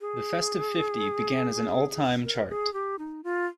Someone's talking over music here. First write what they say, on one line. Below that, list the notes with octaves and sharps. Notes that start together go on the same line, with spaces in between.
The Festive Fifty began as an all-time chart.
G#4
A#4
G#4
G4
D#4
F4